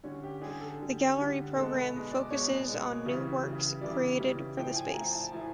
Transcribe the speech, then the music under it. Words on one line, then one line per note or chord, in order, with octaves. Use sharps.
The gallery programme focuses on new works created for the space.
D3 G3 C#4
G4
D3 G3 G#4
A4
D3 G3
D3 G3
B2 G#3 A4
B4
B2 G#3
D5
B2 G#3 C#5
B2 G#3
C#3 E3 G3
C#3 E3 G3
C#3 E3 G3 D5
C#3 E3 G3
A2 F3 A3 G5
G#5
A2 F3 A3 A#5
A5
A2 F3 A3 G#5